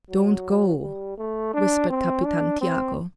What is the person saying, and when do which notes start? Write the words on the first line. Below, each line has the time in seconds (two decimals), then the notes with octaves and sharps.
"Don't go!" whispered Capitan Tiago.
0.09 F#3
0.82 G3
1.18 A3
1.53 D4
1.90 C4
2.25 D4
2.61 C4